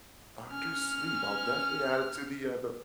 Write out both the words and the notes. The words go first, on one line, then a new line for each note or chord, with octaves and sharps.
Doctor Sleep, I'll definitely add it to the, uh, the
C#4 F6